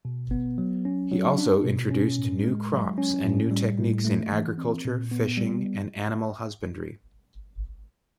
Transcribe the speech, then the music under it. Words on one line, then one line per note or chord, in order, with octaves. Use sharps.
He also introduced new crops and new techniques in agriculture, fishing, and animal husbandry.
B2
B3
F#3
C#4
F#3
D4
B2
C#4
A2
G#3
F#3
C#4
A2
G3
A2
A3
E3
C4
A#2
B3
G3